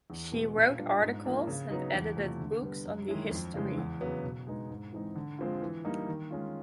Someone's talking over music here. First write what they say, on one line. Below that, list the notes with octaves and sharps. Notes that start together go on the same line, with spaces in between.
She wrote articles and edited books on the history.
E2
B2 G#3 B3
A#2
G3 B3 D4 F4
G#2
F3 A#3 D4
C#3
F#3 B3 D#4
E2
C3 F3 A3
D3
G3 B3
F#2
D#3 G#3 C#4 E4
F2
C#3 E3 G#3
E2
C#3 F#3 B3
B2
G#3 B3 D#4
G#2
E3 G#3 C4 D#4
D3
F3 G#3 C4 F4
E3
G3 A#3 D#4
D#3
G#3 C#4 F4